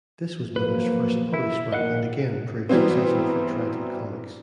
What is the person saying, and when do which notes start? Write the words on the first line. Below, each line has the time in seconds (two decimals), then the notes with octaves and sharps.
This was Millar's first published work and again proved successful for Trident Comics.
0.56 F3 F#3 A#3 B4
1.34 E4
1.72 A#1 A#2 D#3 D#5 F5 F#5
2.69 E3 F#3 G3 B3 C4